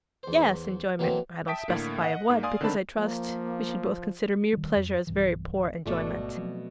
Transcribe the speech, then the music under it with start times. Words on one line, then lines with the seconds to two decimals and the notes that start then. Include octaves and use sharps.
'Yes, enjoyment,--I don't specify of what, because I trust we should both consider mere pleasure as very poor enjoyment.'
0.23 E2 C5
0.99 B2 E3 F#3 A3 A#3 C4
1.48 E5 G5 A5 D#6 B6 D7
1.68 A2 D3 A#3
2.02 D#5 F#5
2.30 G#2 A#3
2.43 D5 F5 G#5 C6 D#6
2.61 D3 D#3 C4 D4 A5 B5
2.97 F3 A#3
4.53 D#3 G3
4.76 F2
5.07 B1 G2 E3
5.86 G#1 B2 A3 D5
6.37 F3 F#3 C4